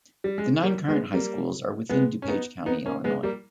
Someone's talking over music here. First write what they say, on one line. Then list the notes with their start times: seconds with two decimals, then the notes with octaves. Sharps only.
The nine current high schools are within DuPage County, Illinois.
0.24 G3
0.38 G#3
0.63 G3 A#3
0.88 G#3 B3
1.13 G3 A#3
1.89 G#3 B3
2.22 C#4
2.28 B3 D#4
2.66 B3 D#4
2.86 A#3 C#4
3.04 G#3 B3
3.23 G3 A#3